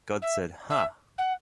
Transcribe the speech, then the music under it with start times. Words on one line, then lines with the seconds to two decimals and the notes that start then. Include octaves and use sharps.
God Said Ha!
0.22 E5
0.70 E5
1.18 F#5